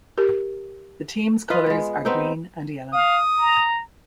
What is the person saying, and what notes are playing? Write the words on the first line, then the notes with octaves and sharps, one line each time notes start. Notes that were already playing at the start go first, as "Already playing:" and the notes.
The team's colors are green and yellow.
G4 A#4
F4 B4 D#5
G#3 B3
B3 C4 D#4
F5 D#6
A#5